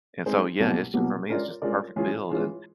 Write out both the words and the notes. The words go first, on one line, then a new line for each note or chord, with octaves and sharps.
and so, yeah, it's just for me, it's just the perfect build. And,
G#3 C4 D#4 G#4 C5
C2 B2 F#3 A#3
C2 B2 F#3 A#3
G#3 C#4 F4 A#4 D5
G#3 C#4 F4 A#4 D5
E3 G#3 C#4 F4 G#4
E3 G#3 C#4 F4 G#4